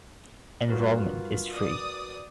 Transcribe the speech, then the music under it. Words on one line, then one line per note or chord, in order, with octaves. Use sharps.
Enrollment is free.
G2 F4 F#4 A#4 B4
D5 D#6